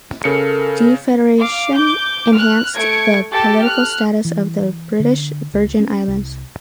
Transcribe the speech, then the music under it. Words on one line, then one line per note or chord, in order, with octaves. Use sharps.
Defederation enhanced the political status of the British Virgin Islands.
C#3 A4 A#4 C#7
F5 D6
D6 G6
F6 F#6
A3 G#6 C#7 D7
G4 A4 A6
F6 F#6
E3
D3
C#2
C#4
C2